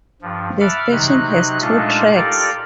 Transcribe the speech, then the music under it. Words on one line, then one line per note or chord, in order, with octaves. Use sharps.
The station has two tracks.
G2 F3
E5 F#5 A5 B5 D6 F6
C3 F#3 D#4 F#6
A#2 G#3 A3 D4 D#4 F4
F4 G4 A4 A#4 D5 F5